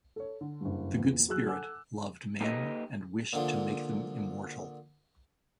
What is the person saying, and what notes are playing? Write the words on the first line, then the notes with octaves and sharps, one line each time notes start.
The Good Spirit loved men and wished to make them immortal.
A4 C#5
D3
F#1 G2
E2 A#2
F#3 G#4 E6 F#6
A4 F#5 G#5 D6 E6
A#3 D#4 G4 A4 B4 D#5
A#2 D3 F3